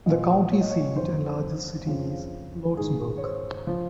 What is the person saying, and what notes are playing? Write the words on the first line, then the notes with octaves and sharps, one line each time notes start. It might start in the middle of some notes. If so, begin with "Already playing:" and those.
The county seat and largest city is Lordsburg.
A#2 F3 D#5
C#5
D#5
C#5
F2 D#3 C5
F2 C#3 F3
G#2 D#3 G#4
C#5
C5
F3